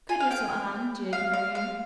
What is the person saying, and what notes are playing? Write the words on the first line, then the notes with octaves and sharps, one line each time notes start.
"Good little Anne," jeered Miriam.
G#5
F5
G5
F5
F5
F5